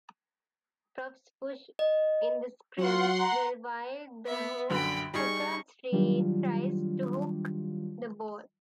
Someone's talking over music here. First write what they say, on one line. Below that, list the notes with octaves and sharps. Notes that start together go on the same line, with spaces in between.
Props push in the scrums, while the hooker tries to "hook" the ball.
D#5
F#3 F4 F#5 C6
A#5
B3 E5
A#1 F#2 D3 G5 B5
G3 D#4 G#4 C#6
D#3 F#3 G3 D4 F4 G4